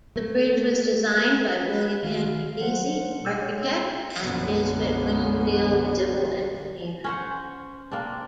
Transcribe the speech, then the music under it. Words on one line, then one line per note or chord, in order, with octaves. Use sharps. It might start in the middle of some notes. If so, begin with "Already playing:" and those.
The bridge was designed by William Henry Deacy, architect and Nisbet Wingfield, civil engineer.
A3
B4
C2 D#3 F#4 F5
F#3 A4 C5 F#5
B2 G3 E6
G#3 G#4 C#5
E6
B1 F#2 D3 A#3 B3 C#4
C#4 C5 F#5
A#3 C4 D4